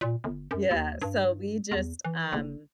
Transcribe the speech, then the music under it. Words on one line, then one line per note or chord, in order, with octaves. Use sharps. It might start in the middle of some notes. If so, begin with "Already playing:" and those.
yeah, so we just, um
A#2
G1
F#2
D#2
G2
E2
E3
F#1